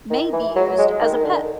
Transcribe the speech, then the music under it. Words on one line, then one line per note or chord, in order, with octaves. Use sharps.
May be used as a pet.
D#3
E3
F#3
G#3
D#3
D#3
D3